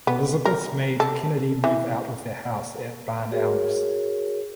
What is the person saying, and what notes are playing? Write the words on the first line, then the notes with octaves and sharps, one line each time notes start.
Elizabeth made Kennedy move out of their house at Barn Elms.
B3
A#4
A4
E3
F#4 G#4 A#4 C#5